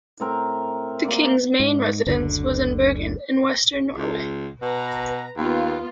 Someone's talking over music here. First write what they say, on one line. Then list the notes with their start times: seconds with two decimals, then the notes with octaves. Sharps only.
The king's main residence was in Bergen in Western Norway.
0.20 A2 C4 A#4
1.05 A#3 D5
1.60 G#2
2.06 F#1 D2 D3
3.97 C#2
4.62 B2 B4 A#5
5.37 D#2 B3 F4